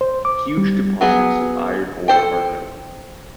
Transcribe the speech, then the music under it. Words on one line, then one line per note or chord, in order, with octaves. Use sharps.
Huge deposits of iron ore are known.
C5
D6
G3
F#3 B3 G#4
A4 C5 G5